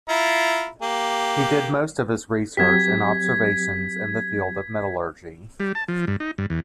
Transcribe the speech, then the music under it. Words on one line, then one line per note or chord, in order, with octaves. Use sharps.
He did most of his research and observations in the field of metallurgy.
E4 F4 A#5
A#3 G4
F#3 C4 G4 G#6 B6
G3
A5
F3
G2
D#4
G2
E2